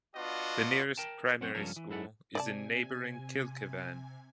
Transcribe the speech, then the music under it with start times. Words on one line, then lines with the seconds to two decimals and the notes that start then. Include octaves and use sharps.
The nearest primary school is in neighbouring Kilkivan.
0.16 B3 D4 F4 F#4 D#5
0.97 A#4 G5 A5
1.41 F#2 C4 C#4 F#5
1.55 C#2 G2 F3 C#4 A4 A#4
1.76 E3
1.90 F#2 E4 A4 F#5
2.35 C3 D5 D#5 G#5 A5